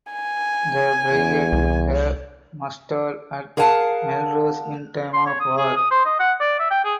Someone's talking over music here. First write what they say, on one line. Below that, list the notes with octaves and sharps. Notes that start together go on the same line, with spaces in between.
The brigade would have mustered at Melrose in time of war.
G#5
E2
C2
G#4 A#4 F5 F#5 G#5 A5
C6
C#5
D#6
G#4
D#6
C5
D#5
F#5
D5
E5
G5
G#4